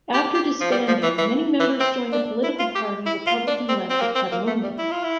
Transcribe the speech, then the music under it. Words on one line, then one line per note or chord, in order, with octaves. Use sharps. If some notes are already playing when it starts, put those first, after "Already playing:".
After disbanding, many members joined the political party Republican Left of Catalonia.
G4
G4
F3
G3
F3
E3
E3
E3
C4
D4
E4
F4
G4
E4
F4
D4
C4
C4
A#3
C4
A#3
A3
G3
E4
F4
E4